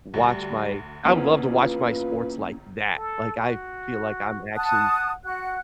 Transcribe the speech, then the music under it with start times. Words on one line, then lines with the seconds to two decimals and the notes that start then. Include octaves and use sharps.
watch my I would love to watch my sports like that, like, I feel like I'm actually
0.14 D2 G3
1.05 G1 E2 F3 A#3 B3 C#4 E4
1.51 F4 B4
2.97 A4
3.41 F#4
4.56 F#5 A5 D#6 F#6
5.25 F#4 F#5 F#6